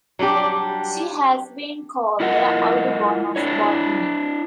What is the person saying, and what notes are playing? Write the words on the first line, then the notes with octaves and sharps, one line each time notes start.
She has been called the Audubon of Botany.
F#3 G3 D4 G4
E4 F4 A#4 D#5 F#5
D4 E4 C#5